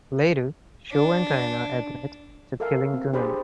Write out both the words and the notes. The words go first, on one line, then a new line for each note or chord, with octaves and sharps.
Later, Sho and Diana admit to killing Dunan.
D4
A4 A#4 E5 F5 G#5
C4
D4 G4 G#4 C5 D5 B5